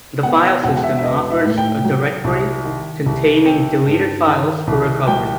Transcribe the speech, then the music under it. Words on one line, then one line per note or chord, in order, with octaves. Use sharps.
The filesystem offers a directory containing deleted files for recovery.
B2 F#5
G5
E1 F#5
F#5
E5
E5
B3 D#5
E5
A2
G5
F#3
C2
D#3
C2
C4 G5
G2
D#3
C2
F#3 G5